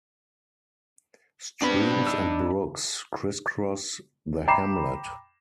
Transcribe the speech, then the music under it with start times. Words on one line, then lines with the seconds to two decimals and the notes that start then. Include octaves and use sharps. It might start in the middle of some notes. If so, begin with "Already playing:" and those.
Streams and brooks criss cross the hamlet.
1.62 B3 C4 D4 B4 B5
2.07 D#4 E6
4.48 G5 A#5 B5 D6 C7 E7